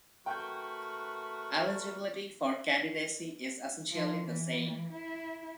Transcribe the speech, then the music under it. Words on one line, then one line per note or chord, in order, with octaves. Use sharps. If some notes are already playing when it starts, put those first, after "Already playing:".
Eligibility for candidacy is essentially the same.
A3 F#4 A#4 B4 G5 G6
F3
E3
E4